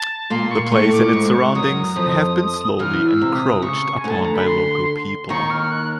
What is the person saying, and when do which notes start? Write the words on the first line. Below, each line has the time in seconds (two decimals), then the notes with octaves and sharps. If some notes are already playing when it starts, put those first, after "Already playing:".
The place and its surroundings have been slowly encroached upon by local people.
Already playing: A5
0.30 A#2 A#3 C6
0.51 C#6
0.72 A2 A3 C#6
0.92 D6
1.13 G#2 G#3 C#6
1.55 F#2 F#3 D#6
1.96 F2 F3 D#6
2.79 E2 E3 F6
3.08 E6
3.22 C3
3.35 D#6
3.62 C#3 C#6
3.98 G#5
4.04 D2 D3
4.10 A5
4.22 A#5
4.34 B5
4.46 C6
5.29 D#2 D#3 C#6
5.50 F6
5.71 F#6